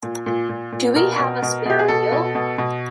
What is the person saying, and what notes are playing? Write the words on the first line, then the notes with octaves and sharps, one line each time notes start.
Do we have a spare wheel?
A#2
A#2
A#2
A#2
B2 A#4
B2
B2
B2 G4
G#4
B2 A4
B2
B2
B2